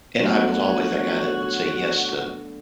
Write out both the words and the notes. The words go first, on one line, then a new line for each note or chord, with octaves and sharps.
And I was always that guy that would say yes to,
D3 F#3 A3 B3 F#4 C#5